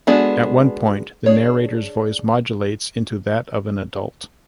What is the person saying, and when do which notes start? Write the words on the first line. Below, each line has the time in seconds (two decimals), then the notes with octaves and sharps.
At one point the narrator's voice modulates into that of an adult.
0.07 G#3 B3 D4 F#4 A4
1.26 D4 G#4 C#5